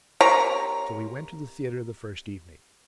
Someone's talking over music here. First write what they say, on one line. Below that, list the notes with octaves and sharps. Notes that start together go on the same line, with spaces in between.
So we went to the theatre the first evening.
C3 A#4 C#5 A#5